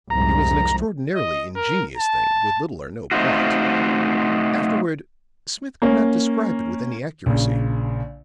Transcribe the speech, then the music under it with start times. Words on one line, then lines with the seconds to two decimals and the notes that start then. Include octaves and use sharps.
It was an extraordinarily ingenious thing, with little or no plot; afterward Smith could not describe it with any accuracy.
0.10 C2 F2 G#2 A#5
1.15 D#5
1.56 A#4
1.97 A5
3.11 A3 C4 C#4 D#4 F4 F#4
5.82 A#3 C#4
7.26 A#1 C#3